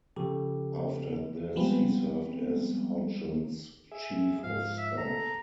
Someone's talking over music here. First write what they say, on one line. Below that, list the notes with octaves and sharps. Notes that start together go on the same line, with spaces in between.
After this, he served as Hodgson's chief of staff.
C#3 F3 G4 A4
F3 G3 G#3 B3 C4
G#4 E5
G#2 F3 F5
E5
A4 A#5